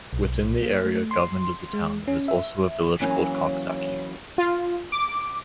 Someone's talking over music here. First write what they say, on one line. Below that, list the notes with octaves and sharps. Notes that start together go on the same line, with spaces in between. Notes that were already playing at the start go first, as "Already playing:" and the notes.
Within the area governed as a town, there is also a village called Coxsackie.
B1
A#3
A3
C6
G#3
C#4
E5
E3 F#3 A#3 C#4
F4
D6